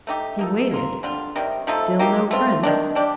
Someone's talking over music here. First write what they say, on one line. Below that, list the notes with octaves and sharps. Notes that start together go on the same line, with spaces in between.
He waited; still no prince.
A3 D#4 G4
A#3 D#4 A4
A#3 F4 A#4
D3 G3 D4 F4
C3 D#3 G3
F3 A3 D#4 A4
A#3 D#4 G4
A3 C4 F4
D#3 G3 D4
G3 D4 G4